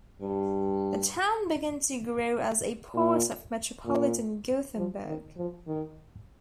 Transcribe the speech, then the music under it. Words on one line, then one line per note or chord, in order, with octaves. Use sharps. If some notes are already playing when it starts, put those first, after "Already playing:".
The town began to grow as a part of Metropolitan Gothenburg.
G2
A#2
A#2
F3
D#3
F3
D#3